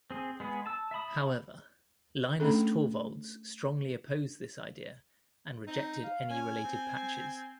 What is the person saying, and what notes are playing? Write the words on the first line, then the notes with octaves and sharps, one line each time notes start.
However, Linus Torvalds strongly opposed this idea and rejected any related patches.
C4 G#4
G#3 B3 G#4
A5 E6
E5 A5 B5 D#6
A3 C#4 D4 G#4 A4
C4 D#4
F5
C#4 G#5
C4